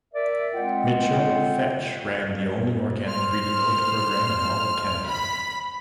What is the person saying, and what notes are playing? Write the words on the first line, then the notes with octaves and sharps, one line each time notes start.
Mitchell Fetch ran the only organic breeding oat program in all of Canada.
A#4 D5 E5
G#3 C4 F4 D#5 F#5 G5
C5 F6
B5 B6